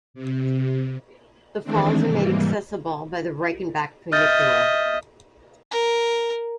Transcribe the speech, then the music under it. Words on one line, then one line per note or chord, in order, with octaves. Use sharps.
The falls are made accessible by the Reichenbach Funicular.
C3
D#3 E3 G#3 A3 C4 D4
G#2 C3 E3 G3 A#3
D#5 E5 F6 G6 A6
A#4